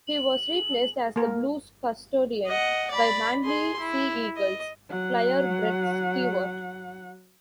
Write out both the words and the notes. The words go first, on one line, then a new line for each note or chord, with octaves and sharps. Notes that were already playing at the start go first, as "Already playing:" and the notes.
He was replaced as the Blues custodian by Manly Sea Eagles flyer Brett Stewart.
F#7
A#3 A#4
D#5 F#5
D5 B5
G#4 C6
E4
D#5
F#3 F#5